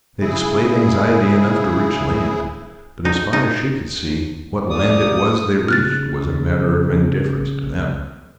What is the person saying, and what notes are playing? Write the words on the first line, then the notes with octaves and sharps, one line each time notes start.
They displayed anxiety enough to reach land; but, as far as she could see, what land it was they reached was a matter of indifference to them.
C#3 E4 G#4
D#4
D#4
A#4 D5 F5 D#6
C#3 F6 F#6 A6